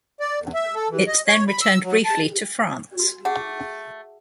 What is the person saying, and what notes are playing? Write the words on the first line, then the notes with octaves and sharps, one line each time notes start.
It then returned briefly to France.
D5
E2
E5
A4
E3
D#5
C#5
B5
E6
F#3
A5
F#4
A3 G#4 F#5